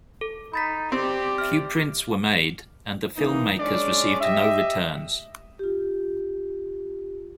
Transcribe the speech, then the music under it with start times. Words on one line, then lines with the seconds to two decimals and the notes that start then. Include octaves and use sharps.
Few prints were made and the film-makers received no returns.
0.21 A4
0.54 D#4 B5 A6 B6
0.92 C4 G4 D5
1.38 E5 F6
3.17 E3 A#3 D#4
3.59 G#3 C#4 D4 D5
4.21 G4 D#5 E5
5.59 F4 G4